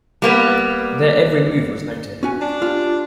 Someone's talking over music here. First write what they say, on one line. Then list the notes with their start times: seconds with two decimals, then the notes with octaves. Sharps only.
Their every move was known to him.
0.22 G3 A#3 B3
2.23 C#4 F#4 G#5
2.40 D4
2.62 F4 G4